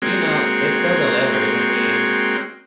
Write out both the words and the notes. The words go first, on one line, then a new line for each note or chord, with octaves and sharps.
you know, it still delivers. I mean,
G#3 A#3 C4 F#4 C#5 G5